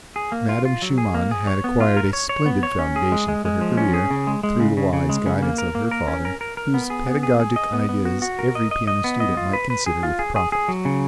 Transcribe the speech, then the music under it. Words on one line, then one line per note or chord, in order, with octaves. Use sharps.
Madame Schumann had acquired a splendid foundation for her career through the wise guidance of her father, whose pedagogic ideas every piano student might consider with profit.
G#4
A#3
F4
F4
F#3
G#4
A#3
G#4
C#5
B3
F4
A#4
C#5
C#5
B3
C#5
C#4
G#4
G#3
G#3
G#3
F3
C#4
G#4
C#3
G#3
G#3
C#3
C#3
C#3
G#3
C#3
A#3
A#4
A#3
A#4
C#4
A#4
A#4
A#4
B3
G#4
B3
G#4
G#4
D#5
B3
B3
F#4
F#4
A#4
D#5
D#5
D#5
B3
D#5
F4
B4
B4
G#4
F4
G#4
G#4
G#4
F#3
C#3